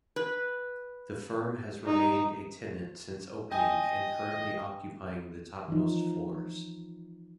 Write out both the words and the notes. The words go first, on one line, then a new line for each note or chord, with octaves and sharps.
The firm has remained a tenant since opening and currently occupying the topmost floors.
B4
D#4
D#5 G5 G#5
E3 F3 D#4